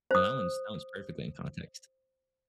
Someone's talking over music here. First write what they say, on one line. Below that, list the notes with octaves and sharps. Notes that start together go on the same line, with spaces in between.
No, that one's that one's perfectly in context,
C5 D#6